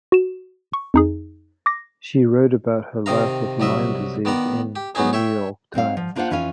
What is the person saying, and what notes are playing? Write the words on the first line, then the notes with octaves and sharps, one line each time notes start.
She wrote about her life with Lyme disease in "The New York Times".
F#4 E7
C#6
F2 D#4 G#4
D6 A#6
C3 D#3 D#5 F5 A#5
C2 F#3 D#5 E5
D#3 B3 D5 A#5
G4
F#3 B3 C#4 D#4 G#4
C#5 E5 G5
G3 C4 C#5 F5
F3
A#3 D4 F4 C5 F5 F#5
F2 E3 C#4 F4 F5 G#5